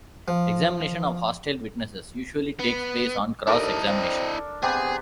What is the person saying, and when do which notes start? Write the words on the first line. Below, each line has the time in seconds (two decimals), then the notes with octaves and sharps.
Examination of hostile witnesses usually takes place on cross-examination.
0.28 F3
2.60 B3
3.47 D#2 D4 E4 A4 A#4 D#5
3.87 C4
4.63 C3 B3 C4 G4 G#4